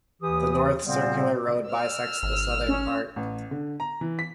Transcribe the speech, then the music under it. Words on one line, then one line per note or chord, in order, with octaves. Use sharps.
The North Circular Road bisects the southern part.
D#2 E3 G4 D#6
A#2 C#3 G3 B3 C4
E6 F6
G#1
C#4
A1
D3
A#5
E3
B6